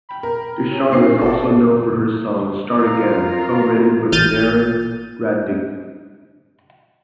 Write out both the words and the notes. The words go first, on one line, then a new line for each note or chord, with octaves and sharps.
Ducharme is also known for her song "Start Again," co-written with Darren Radtke.
G5 B5
A#4
C#5 G#5
A#2 C4 D4 D#4 C7
G1 A4 D5 E5
F4 A#4
A1 F6 G6 A6 D#7